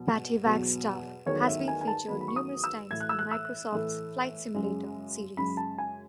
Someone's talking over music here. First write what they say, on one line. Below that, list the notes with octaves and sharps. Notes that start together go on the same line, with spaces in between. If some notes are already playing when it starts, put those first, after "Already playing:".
Patty Wagstaff has been featured numerous times in Microsoft's "Flight Simulator" series.
Already playing: E2 B2 F#3
E2 B2 F#3
E2 D#3 F#3 A3 C#5
E5
G#5
G#5
A5
E2 D#3 F#3 A3 B5
B5
C#6
D#6
E6
A2 E3 A3 G#6
F#6
E6
F#6
E6
A2 E3 A3
F#2 C#3 G#3
F#2 C#3 G#3 B5
A5
G#5